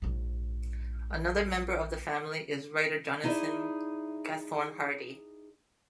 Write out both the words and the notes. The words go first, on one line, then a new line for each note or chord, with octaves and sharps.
Another member of the family is the writer Jonathan Gathorne-Hardy.
A#1 G#2
D#4 E4 G#4 C#5 D5 E5